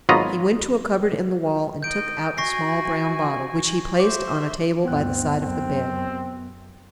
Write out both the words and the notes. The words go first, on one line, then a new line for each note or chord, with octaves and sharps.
He went to a cupboard in the wall, and took out a small brown bottle, which he placed on a table by the side of the bed.
G#1 F#3 B3 F4 D#5 A#5
D#3 D#5 G6 D7
F#4 G#5 C#6 A#6 C7
C5 E5 D6
D2 G2 B3 C4 F#6
F#2 C4